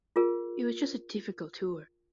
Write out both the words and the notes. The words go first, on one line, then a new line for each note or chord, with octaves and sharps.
It was just a difficult tour.
F4 G#4 A#4